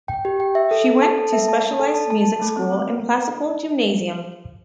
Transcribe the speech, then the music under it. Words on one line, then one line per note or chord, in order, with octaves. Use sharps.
She went to specialized music school and classical gymnasium.
G5
G4
G5
E5
A4
A4
A5
A4
E5
A5
A5
A4
A5
A5
A4
A3
C4
A3